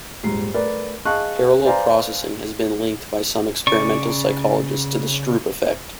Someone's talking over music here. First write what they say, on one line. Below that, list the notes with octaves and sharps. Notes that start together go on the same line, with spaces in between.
Parallel processing has been linked, by some experimental psychologists, to the Stroop effect.
D#1 G#2 C7
A3 A#4 B4 D5
G#4 D#5 F5 A5 C#6 F#6
B4 C5 D5 F5 G#5 A#5
C#3 D5 C#6